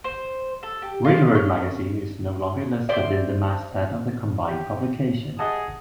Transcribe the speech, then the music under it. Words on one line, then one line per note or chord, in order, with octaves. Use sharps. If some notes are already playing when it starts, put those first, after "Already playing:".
"Railroad Magazine" is no longer listed in the masthead of the combined publication.
C5
A4
G4
F4
C#4
C5 D5 E5
G4
G#4 D#5 F#5 A5